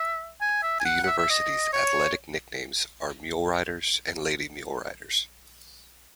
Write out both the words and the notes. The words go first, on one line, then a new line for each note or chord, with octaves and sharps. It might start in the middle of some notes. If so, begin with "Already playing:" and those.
The university's athletic nicknames are Muleriders and Lady Muleriders.
Already playing: E5
G#5
E5
G#5
F#5
F#5
E5
E5
D#5
C#5